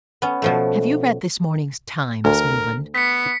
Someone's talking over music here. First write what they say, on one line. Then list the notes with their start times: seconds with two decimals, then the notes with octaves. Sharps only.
"Have you read this morning's Times, Newland?"
0.22 B3 C#4
0.42 B2 F3 A3
2.25 D2 A#4
2.95 B3 B6 C#7